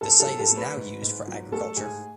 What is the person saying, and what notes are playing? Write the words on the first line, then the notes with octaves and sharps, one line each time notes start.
The site is now used for agriculture.
G#2 A4 A5
A4 A5
F#3
A4 A5
A3
B4 B5
G#2
G#2
F#3
A3 A4 A5
G#2 G#4 G#5